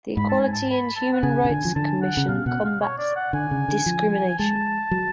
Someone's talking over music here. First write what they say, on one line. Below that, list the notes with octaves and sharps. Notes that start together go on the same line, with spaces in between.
The Equality and Human Rights Commission combats discrimination.
G#2 B5
A5
G#5
A5
B5
A5
F#5
C#3 G#5
C#3
D3
F3
D3 A5
F#5
C#3
B2 F5
B2 F#5
F5
C#5
D5
F#5
D3 G#5
C#3
D3
F3
G#3 A5
F#3